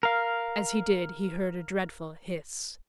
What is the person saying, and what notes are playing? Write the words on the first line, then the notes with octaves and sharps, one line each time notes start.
As he did he heard a dreadful hiss.
A#4 F5